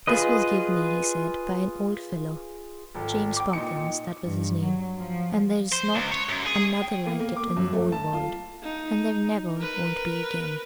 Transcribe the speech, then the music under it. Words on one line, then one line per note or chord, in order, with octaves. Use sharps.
"This was give me," he said, "by an old feller--James Parkins, that was his name--and there's not another like it in the whole world, and there never won't be again."
F4 G#4 B4 D#5
G#1 F3 A4
G5 D6
A#2 D#4 C#7
G2
F#3
F3
C5
C#2
C#5
F#2
G#4
G5
A#3
A#3
D6
F#2
A3
A5
F4
D#4
A#4 B4